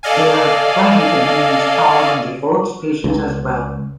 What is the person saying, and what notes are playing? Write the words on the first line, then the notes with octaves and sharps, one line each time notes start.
They are planned to be installed in the old stations as well.
A4 D5 D#5 F5 G#5
C#2